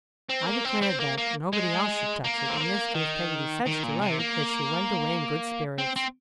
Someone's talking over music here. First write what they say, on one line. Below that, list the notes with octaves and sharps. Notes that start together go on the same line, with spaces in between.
I declared that nobody else should touch it; and this gave Peggotty such delight that she went away in good spirits.
C4
A#3
C4
C4
A#3
A#3
G#3
A#3
C4
A#3
D#3
D#3
A#2
C3
A#3
C4
C4